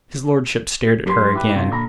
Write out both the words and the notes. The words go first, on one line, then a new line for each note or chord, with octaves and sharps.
His lordship stared at her again.
F#2 G4 A#4 B4 C6
E4 G4 B4
A2 C3 C#4 D#4 F4
A#2 D3 A#3 D5 A#5 B5